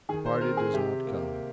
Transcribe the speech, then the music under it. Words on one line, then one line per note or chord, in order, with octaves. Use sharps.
The party does not come.
D#3 G#4
C5
C4 A#4
G#4
C3 G4
A#3